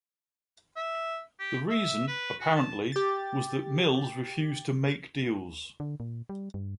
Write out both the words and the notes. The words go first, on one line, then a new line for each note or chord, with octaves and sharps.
The reason, apparently, was that Mills refused to make deals.
E5
G4
E5
B4
F#4
A5
G4 A6
D3
A#2
G3
G2